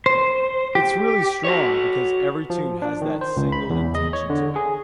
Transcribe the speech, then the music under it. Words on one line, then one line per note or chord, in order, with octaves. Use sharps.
It’s really strong because every tune has that single intention to it.
C5
G4
F#4 B4 C#5
F3
D4
D#3
C5
C#2
B5
E2
D#5
C#5
D3
G#4